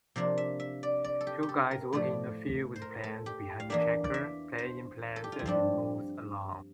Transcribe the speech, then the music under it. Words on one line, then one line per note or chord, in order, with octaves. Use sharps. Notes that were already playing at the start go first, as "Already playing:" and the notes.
Two guys working in a field with plants behind a tractor playing plants as it moves along.
C3 F3 A#3 D4
E5
E5
D5
D5
A4
G4
G4
A4
A#4
A2 F3 A3 D5
C5
A#4
A4
G4
F5
E2 E3 A#3 D4 E5
D5
E5
C5
A4
G4
F4
E4
G2 F3 C4 D4